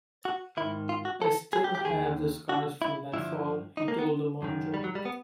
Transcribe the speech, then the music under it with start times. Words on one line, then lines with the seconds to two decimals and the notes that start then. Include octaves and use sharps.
"I still have the scars from that fall," he told the Monitor.
0.25 F#4
0.57 G#2 D#3 E4
0.89 F4
1.05 F#4
1.22 A4
1.53 G#4
1.64 G4
1.75 G4
1.85 D#2 D#3 G#4
2.49 F#4
2.82 E4
3.13 G2 D3 F3 E4
3.77 D#4
3.88 A#3
3.99 B3
4.42 F#2 D#3
4.74 G3
4.84 F#3
4.95 G3
5.05 B3